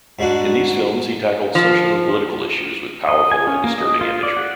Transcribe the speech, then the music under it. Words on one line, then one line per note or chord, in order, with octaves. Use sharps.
In these films he tackled social and political issues with powerful and disturbing imagery.
G#2 G#3 D4 F#4
F3
D#5
G#5
C#4
A#3
D#5
F4
D5
F#5